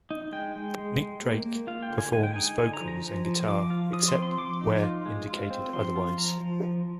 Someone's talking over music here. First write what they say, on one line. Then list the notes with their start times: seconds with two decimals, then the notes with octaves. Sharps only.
Nick Drake performs vocals and guitar, except where indicated otherwise.
0.11 D#4
0.32 G#3 G5
0.56 G#3
0.78 G#3
1.01 G#3
1.23 A#3
1.46 A#3
1.67 F4 F5
1.83 G5
1.90 D3
1.98 G#5
2.13 G#3 G#5
2.23 G5
2.34 D#4 G#5
2.57 D3 G#5
2.73 A#5
2.81 F3
2.88 A#5
3.03 F3
3.25 F3
3.48 F3 D6
3.70 F4
3.93 F3 D#6
4.08 C6
4.15 C4
4.22 C6
4.38 F3 D6
4.61 D#4
4.83 F4
5.05 G#3
5.28 F4
5.51 C4
5.73 F3 C6
5.96 F4
6.18 F3 A#5
6.40 F3
6.63 F3